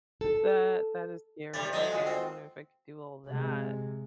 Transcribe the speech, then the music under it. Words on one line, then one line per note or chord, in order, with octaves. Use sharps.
That that is scary, okay, I don't know if I could do all that.
A4
C3 G3 D5
F#3 A3 C4 D#5
G#3 F4 F#4
C4
C3 G#3